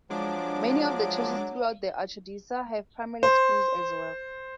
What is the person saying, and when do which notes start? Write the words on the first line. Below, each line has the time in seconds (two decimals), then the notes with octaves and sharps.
Many of the churches throughout the archdiocese have primary schools as well.
0.10 F3 F#3 G#3 D4 D6
3.23 C5